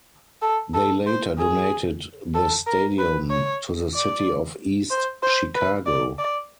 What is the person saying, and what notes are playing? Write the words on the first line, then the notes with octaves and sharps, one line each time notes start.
They later donated the stadium to the City of East Chicago.
A4
A4
C5
G#4
A4
A#4
B4
C#5
D5
C5
C5
B4
D5
D5